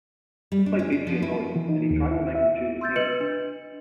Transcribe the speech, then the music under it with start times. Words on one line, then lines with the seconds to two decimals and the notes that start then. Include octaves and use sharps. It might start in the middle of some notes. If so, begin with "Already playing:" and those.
This made Benji annoyed, and he tried to make him choose a team.
0.52 G3
0.66 D4
0.79 C#4
0.92 D4
1.07 F3
1.22 E4
1.56 E3
1.69 D#4
1.91 D#2
2.11 E4
2.35 E5
2.81 C6 E6 G6 A6
2.96 B4 D#5 C#7 F#7
3.21 D4